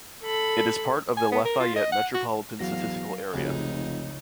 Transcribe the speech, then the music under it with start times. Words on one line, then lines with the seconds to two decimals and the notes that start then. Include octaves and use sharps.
It is part of the Lafayette Metropolitan Statistical Area.
0.23 A4 B5
1.17 G#5
1.32 B3
1.45 A#4
1.60 F4
1.76 D#5
1.92 F#5
2.14 F#4
2.59 E2 F#3 F#4 F5 A#6
3.33 F1 C#2 D#4 F#4 G#4